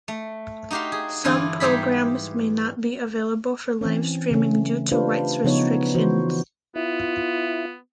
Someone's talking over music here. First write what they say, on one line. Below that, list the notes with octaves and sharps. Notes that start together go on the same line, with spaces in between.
Some programmes may not be available for live streaming due to rights restrictions.
A3
D#4 F#4 G4 F5 C6
G#4
G2 D3 E3 E4 F4 G#4
G#2 G3 G4 G#4 B5
E3 C4 C#4
C#3 A3 C#4
D4 F4 G4 B4 C5 F5
C#3 F3 B3 D#4 C#5
E3 F#4 C5
B3 E4 F4